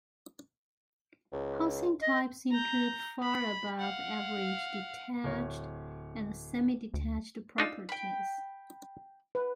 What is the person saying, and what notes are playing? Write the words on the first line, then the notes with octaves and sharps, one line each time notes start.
Housing types include far above average detached and semi-detached properties.
C#2
D#5
A#5 G6
B5
F5 F#5
D1 C#5
D2
D4 D#4 F4 E6
G5 B5
B4